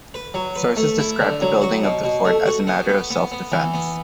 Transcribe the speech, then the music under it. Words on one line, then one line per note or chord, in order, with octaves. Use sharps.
Sources describe the building of the fort as a matter of self-defence.
B4
F#3
B4
A3
E4
D3
F#3
F#4
B2
B2
A3
F#4
B3
B3
B3
B3
E3
B3